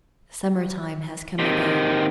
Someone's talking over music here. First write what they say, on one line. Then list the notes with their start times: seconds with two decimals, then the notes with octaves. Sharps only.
Summer-time has come again.
1.39 C3 D#3